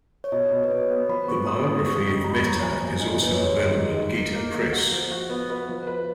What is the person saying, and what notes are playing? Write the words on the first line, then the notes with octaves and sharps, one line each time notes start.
The biography of Mehta is also available at Geeta Press.
C#5
B2 D#5
B2
B4
B2 C#5
B3
F3 B5
B3 C#6
B3 D#6
F3 D#6
D#6
C#3 C#6
F2
F2 A#5
B5
F#3 A#5
F3 G#5
A#2
D#4 G#5
A#2 B4
C#5
G#3 D#5
D#3
G#3
D#4
A#3
A#3
A#3
F#4
F3
F#4
B3
B4
F3
B4